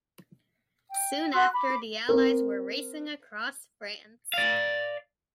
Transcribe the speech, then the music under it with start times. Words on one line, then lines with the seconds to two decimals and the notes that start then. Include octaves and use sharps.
Soon after, the Allies were racing across France.
0.89 G5
1.33 F#4 C6 E6 F#6
1.54 B5 D6
2.09 C4 A#4
4.33 D5 F5